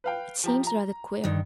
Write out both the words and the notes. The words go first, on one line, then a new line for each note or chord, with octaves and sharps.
"It seems rather queer."
B4 F5 G5
F3 G4 A#5
A#5
G2 D#3